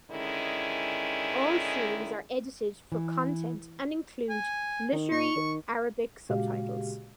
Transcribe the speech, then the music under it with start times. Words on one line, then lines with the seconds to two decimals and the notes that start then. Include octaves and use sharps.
All series are edited for content and include Literary Arabic subtitles.
0.10 D3 D#3 G#3 C#4 E4
2.92 E3
4.29 G#5
4.93 D#3
5.11 A#2 C#6
5.35 D#3
6.29 A#2 C#3 G#3 F#4 G4 F5